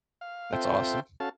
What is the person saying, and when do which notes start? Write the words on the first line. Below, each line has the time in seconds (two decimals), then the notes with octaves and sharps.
That's awesome.
0.21 F5
0.53 C4 F4 A4 C5 E5 G5
1.20 C#4 F#4 A4 F5 A5